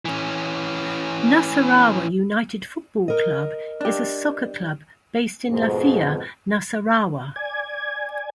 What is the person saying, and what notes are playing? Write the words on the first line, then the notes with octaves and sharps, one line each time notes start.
Nasarawa United Football Club is a soccer club based in Lafia, Nasarawa.
E3 C#4
A#4 D#5
D4 G4
F2 G#2 B2
D5 G#5 G#6